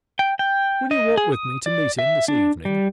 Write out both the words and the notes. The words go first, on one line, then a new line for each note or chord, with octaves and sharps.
"Will you walk with me to meet him this evening?"
G5
G5
D#5
G#4
D#6
D5
E5
D4
G3